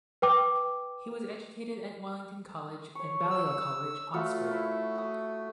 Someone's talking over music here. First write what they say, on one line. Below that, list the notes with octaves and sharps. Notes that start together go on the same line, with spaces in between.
He was educated at Wellington College and Balliol College, Oxford.
B4 G5 D6
C#5 C#6
E6
A3 F4 F#4 F#5
E4 E5
F#4 D#6